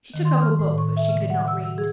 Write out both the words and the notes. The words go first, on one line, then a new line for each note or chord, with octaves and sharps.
She took up a book, but she could not read.
D#3
C6
F6
A2
C#6
E5
C#3
F#5
E6
E6
G#4